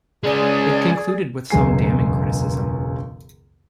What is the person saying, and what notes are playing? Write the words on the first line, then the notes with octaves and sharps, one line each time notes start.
It concluded with some damning criticism.
G#3 C#4 G#4 D5
E1 C#2 F#2 G#4 G#5 C7